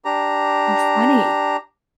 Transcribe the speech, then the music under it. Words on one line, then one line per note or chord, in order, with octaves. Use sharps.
Oh, funny.
D4 G4 A#5